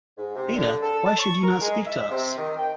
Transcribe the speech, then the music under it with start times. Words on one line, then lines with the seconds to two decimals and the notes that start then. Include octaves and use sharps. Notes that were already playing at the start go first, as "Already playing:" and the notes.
Ada, why should you not speak to us!
0.17 G#2
0.35 C3
0.56 D3
0.83 A4
1.06 A5
1.19 C#6
1.43 A#4
1.61 G#3
1.86 E5
2.11 C3
2.38 D#3
2.57 G5